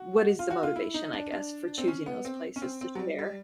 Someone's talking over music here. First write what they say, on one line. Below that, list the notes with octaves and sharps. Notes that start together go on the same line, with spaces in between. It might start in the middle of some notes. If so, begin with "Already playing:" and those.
what is the motivation, I guess, for choosing those places to share?
Already playing: F#4
F4
F#4
F4
E4
D#4
D4
D4
C4
C#4
B3
C4
C#4
C4
C4
F#3
G3
G3